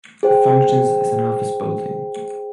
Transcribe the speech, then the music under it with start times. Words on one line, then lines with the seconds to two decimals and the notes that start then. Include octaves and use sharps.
It functions as an office building.
0.23 G#4 C5 G5